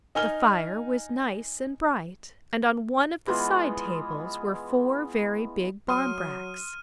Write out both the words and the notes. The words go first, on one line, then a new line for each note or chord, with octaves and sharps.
The fire was nice and bright and on one of the side-tables were four very big barmbracks.
D#4 G#5 F6 G7
E3 G#3 B3 F4
F#3 C6 D#6 F6 D#7